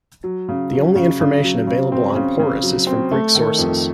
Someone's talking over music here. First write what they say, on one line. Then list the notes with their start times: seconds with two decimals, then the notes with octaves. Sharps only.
The only information available on Porus is from Greek sources.
0.24 F#3
0.49 C#3
0.72 F#3
0.95 C#3
1.20 C#3
1.44 F#3
1.67 C#3
1.92 C4
2.15 C#3
2.39 C#3
2.63 F#3
2.87 C4
3.11 A3
3.35 D#3
3.59 F2